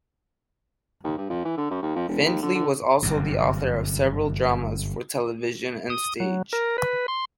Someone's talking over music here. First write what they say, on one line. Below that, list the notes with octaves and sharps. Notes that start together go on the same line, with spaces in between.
Findley was also the author of several dramas for television and stage.
D#2
G2
F2
E3
D3
F#2
D#2
F2
E1
D#2
D3
D3
G1 F#2 C3
D#6
F#3
A#4
B4
C6